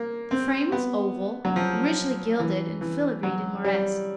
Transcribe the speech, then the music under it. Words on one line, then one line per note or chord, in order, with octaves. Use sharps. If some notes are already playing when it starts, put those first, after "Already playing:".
The frame was oval, richly gilded and filigreed in Moresque.
Already playing: A#3
C4
B3
F#3
F3
E3
E3
F#3
G3